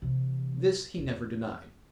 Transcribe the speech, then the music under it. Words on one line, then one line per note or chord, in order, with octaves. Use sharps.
This he never denied.
C3 E3
E2